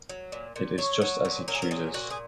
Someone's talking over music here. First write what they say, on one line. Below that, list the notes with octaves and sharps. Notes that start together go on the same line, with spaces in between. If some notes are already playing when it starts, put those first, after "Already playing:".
It is just as he chooses.
Already playing: A#4
F#3
A#2
A#2
F#3 C#5
F#3
A#2
F#3 A#4
G#4
A#4
A#2 G#4
A#2 F#4
G#4